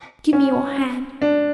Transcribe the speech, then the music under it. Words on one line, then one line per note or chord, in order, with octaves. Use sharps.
Give me your hand.
C#4
D4